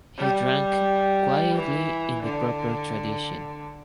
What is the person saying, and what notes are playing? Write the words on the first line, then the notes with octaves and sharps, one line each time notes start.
He drank — quietly and in the proper tradition.
G3
E3
D3